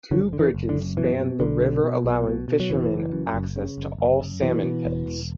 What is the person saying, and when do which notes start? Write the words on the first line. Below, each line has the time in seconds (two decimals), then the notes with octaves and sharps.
Two bridges span the river allowing fishermen access to all salmon pits.
0.11 F#1 D3 F#3
0.33 D3
0.39 E3
0.54 F#1
0.69 D3
0.75 F#2
0.97 B2 E3
1.19 B2
1.40 B1 D3
1.61 B2
1.83 B2
2.04 B1
2.27 B2
2.48 B2
2.60 F#3
2.69 F#1 E3
2.91 F#1
3.12 F#2
3.34 F#1
3.56 C#3
3.78 F#1
3.98 F#1
4.21 F#2
4.42 B2 E3
4.63 B2
4.85 E1
5.06 E1